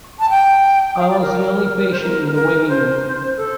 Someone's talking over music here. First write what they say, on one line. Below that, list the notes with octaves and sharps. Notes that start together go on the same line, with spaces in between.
I was the only patient in the waiting room.
A5
G5
F5
D5
A#4
C5
A#4
A#4
C5
A4